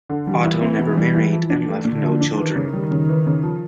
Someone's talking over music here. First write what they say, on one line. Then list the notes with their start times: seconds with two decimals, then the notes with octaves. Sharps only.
Otto never married and left no children.
0.09 D3
0.27 E3 G3
0.44 E4
0.62 C4
0.79 B2
0.97 G3
1.15 E4
1.32 F3
1.50 D4
1.68 A3
1.85 A#2 D3
2.03 F3
2.21 D4
2.38 D#3 E3
2.56 C#3
2.73 G3
2.91 C#3
3.09 E3
3.26 C#3
3.43 F3